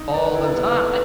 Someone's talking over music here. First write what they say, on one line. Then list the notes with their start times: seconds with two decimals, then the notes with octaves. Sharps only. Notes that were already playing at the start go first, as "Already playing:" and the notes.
all the time.
Already playing: D#4
0.14 B4 D5
0.35 E4
0.55 B3
0.76 A4